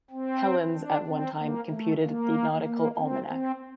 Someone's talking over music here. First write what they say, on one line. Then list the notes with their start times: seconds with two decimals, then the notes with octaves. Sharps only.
Hellins at one time computed the "Nautical Almanac".
0.11 C4
0.75 D4
1.07 C4
1.38 A#3
1.70 A3
2.02 A#3
2.66 A#3
2.97 C4
3.29 C4